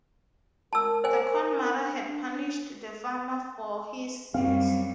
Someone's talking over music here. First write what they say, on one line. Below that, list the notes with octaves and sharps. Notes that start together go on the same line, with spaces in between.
The Corn Mother had punished the farmer for his sins.
A#4 A5 E6
C5 G#5
D4
F#2 G3 C4 F5